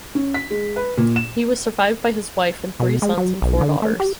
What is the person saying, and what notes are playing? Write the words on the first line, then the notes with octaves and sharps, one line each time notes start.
He was survived by his wife and three sons and four daughters.
C#4
B6
G#3
B4
A#2
E7
B2
G#3
F#3
B1
D3
A3
G4